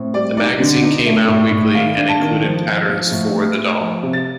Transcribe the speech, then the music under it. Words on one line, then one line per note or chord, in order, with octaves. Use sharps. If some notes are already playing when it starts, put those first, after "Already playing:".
The magazine came out weekly and included patterns for the doll.
Already playing: A2 C4
G3 D5
D#4 D5
D3
D#4
A3
A2
A2
D#3 F5
D4
A5
D#3
F3
F3
F3
A2
A3
A3
F3
C3
A6